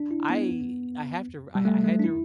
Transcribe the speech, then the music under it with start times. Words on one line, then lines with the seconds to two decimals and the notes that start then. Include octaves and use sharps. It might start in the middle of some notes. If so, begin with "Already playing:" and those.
I I have to I I had to
Already playing: D4
0.11 E4
0.30 B3
1.55 G3
1.65 A3
1.84 A3
1.99 D4
2.04 E4